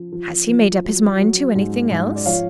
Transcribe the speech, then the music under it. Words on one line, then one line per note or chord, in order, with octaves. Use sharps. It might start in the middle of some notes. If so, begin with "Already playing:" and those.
"Has he made up his mind to anything else?"
Already playing: F3
F3
F3
F#3
F#3
G#2
G#2
D5
F3 C#5 F5